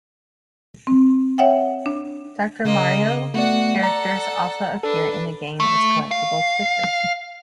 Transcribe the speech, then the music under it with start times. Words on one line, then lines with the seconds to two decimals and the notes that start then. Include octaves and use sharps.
"Doctor Mario" characters also appear in the game as collectible stickers.
0.87 C4
1.38 C#5 E5 F#5 G5
1.86 D4
2.65 C#3 A#3 D#5
3.34 A3 B3 F#4 D5 F#5
3.82 A4 D5 F#5 A#5
4.83 D4 A4 B4
5.60 A3
6.11 F5